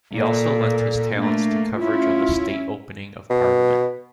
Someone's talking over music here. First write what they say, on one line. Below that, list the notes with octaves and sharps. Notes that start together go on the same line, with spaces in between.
He also lent his talents to coverage of the State Opening of Parliament.
A#2 A4
A3 A#3 D4
C#4 E4 F4
B2